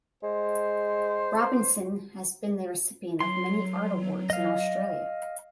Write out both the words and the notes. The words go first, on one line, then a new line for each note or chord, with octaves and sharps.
Robinson has been the recipient of many art awards in Australia.
G#3 C5
F#3 C6
D#5 F5